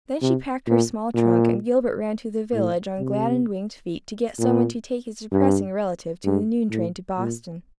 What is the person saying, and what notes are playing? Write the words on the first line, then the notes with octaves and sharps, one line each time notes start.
Then she packed her small trunk and Gilbert ran to the village on glad and winged feet to get some one to take his depressing relative to the noon train to Boston.
C3
A#2
A#2
A2
C3
A#2
G2
G2
A2
A#2